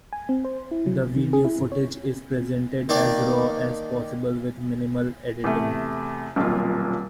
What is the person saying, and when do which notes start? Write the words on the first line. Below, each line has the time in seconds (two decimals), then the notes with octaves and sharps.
The video footage is presented as raw as possible with minimal editing.
0.13 G#5
0.29 C4
0.45 C5
0.71 E4
0.86 F#3
1.01 A#1
1.16 D#3
1.33 G#4
1.45 E4
1.59 G#1
1.72 C#5
2.89 D#3 A#3 D4
5.44 E2 C3 A3
6.36 D#1 B1 F2 A#3 F4